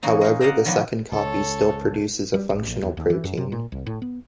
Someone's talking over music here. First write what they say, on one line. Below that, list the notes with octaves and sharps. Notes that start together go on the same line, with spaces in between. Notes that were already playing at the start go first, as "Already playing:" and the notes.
However, the second copy still produces a functional protein.
E3 A#3 C#4 D#4
G#3 D#4
A#4 C5 D5 D#5 F5 F#5
D#3 F3 F#3 B3 D4
C#2 A4 C#5
G3
A1
A#1
E2
D#2
E3
F#2
C3
A#2
C2
A2
B3